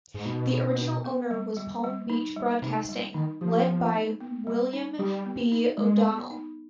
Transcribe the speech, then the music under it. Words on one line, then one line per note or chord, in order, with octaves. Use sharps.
The original owner was Palm Beach Broadcasting, led by William B. O'Donnell.
G#2
B2 D#4
D#4
B4
B3
G3
G3
G3
D#4
G3
C3 D#4
G3
D#3 D#4
F3 G4
B3
D#4
B3
G3
D#4
G3 G4
B3
D#4
G3 G#3
B3
D#4